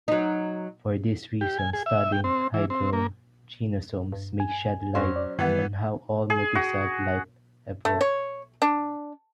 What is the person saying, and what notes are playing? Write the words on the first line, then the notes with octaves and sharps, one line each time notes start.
For this reason, studying hydrogenosomes may shed light on how all multi-celled life evolved.
F#3 D#4
G4
G#5
G#4
E5
G5
C4
E3
C4
A#3
G2
G#5
F2 F#3 C#4 C5
D5
F#2 D#3 E3 G3 B3
G#4
F#4
A3
C#5
D4